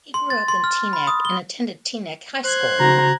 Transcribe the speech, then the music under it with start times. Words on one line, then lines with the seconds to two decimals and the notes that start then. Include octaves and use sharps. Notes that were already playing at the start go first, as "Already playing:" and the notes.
He grew up in Teaneck, and attended Teaneck High School.
0.14 C6
0.30 A6
0.48 C6
0.64 F6
0.93 B5
1.07 D#6
1.25 G7
2.44 C5 F#6 G#6
2.80 C#3 F#4 A#5